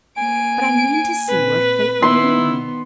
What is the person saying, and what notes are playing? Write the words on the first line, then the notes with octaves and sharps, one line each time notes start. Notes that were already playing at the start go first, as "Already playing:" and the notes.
But I mean to see where fate will lead me.'
A#3 G#5 D7
A#2 C4 B4
D#3 B3 E4 C6